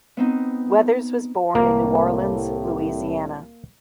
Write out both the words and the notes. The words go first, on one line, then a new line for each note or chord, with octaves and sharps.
Weathers was born in New Orleans, Louisiana.
B3 C4 D#4
C2 A2 A#3